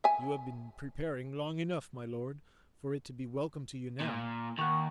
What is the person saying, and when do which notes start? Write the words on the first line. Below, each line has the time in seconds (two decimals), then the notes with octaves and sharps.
"You have been preparing long enough, my lord, for it to be welcome to you now."
0.04 E5 G#5
4.00 A#2
4.58 D#2 F#5 C#6